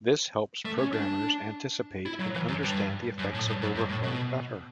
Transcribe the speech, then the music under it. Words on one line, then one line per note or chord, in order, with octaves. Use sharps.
This helps programmers anticipate and understand the effects of overflow better.
A3
C#4
D4
E4
F#3
E3
F#2
G2
F#2
A2
G2
F#2
G2
A2
B2